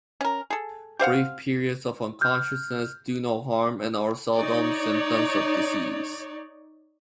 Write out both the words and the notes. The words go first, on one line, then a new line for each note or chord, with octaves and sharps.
Brief periods of unconsciousness do no harm and are seldom symptoms of disease.
C#4 A#4
G#4 A4
G4 C5 F5 F#5
F6 G6
D#4 C#5 D5